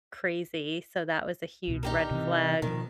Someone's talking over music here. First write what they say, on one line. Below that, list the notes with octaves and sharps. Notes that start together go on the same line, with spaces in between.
crazy, so that was a huge red flag.
C2 B2
D#4 G4 A#4
C3 E3
B2 D#3 F3